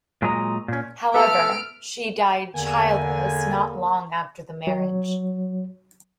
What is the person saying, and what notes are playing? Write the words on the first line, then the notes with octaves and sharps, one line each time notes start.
However, she died childless not long after the marriage.
A#2 F#3 G#3 D#5 A#5
A#2 C#4
B2 A3 B3 A4 A5 E6 F6 D7
E2 D3 A#3 G#5
F#3